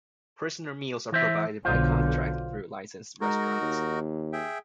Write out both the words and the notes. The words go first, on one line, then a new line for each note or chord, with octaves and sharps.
Prisoner Meals are provided by contract through licensed restaurants.
E3 C5 E5
B1 D3 F4 C5
G#3 D#4 F#4 A#4
D#2
G#4 E5 G5